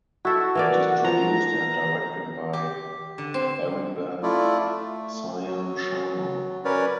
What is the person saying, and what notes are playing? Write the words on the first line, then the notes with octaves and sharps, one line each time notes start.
It is produced and directed by Aribam Syam Sharma.
E4 F#4 A4
E3 A#3 D5
F3 A#5
G4
D3
C4
A3 E4 F4 A4 D5
A3
F#3
C#4 A#4 B4 C#5 D5